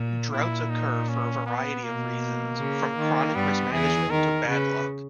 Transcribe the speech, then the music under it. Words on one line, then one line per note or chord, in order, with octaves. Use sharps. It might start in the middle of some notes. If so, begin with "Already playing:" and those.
Droughts occur for a variety of reasons, from chronic mismanagement to bad luck.
Already playing: A#2
A#2 E4
D#4
C#4
B3
B2 A#3
C#3
D#3
G2 G3 B3
E2 E3 G#4
D#3 A#4
C#3 B4